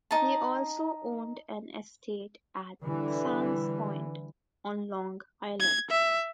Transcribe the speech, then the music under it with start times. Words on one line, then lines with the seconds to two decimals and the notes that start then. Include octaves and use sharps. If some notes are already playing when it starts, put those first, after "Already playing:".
He also owned an estate at Sands Point on Long Island.
0.11 D#4 A5
2.82 D3 E3 G3
5.60 G#6
5.91 E5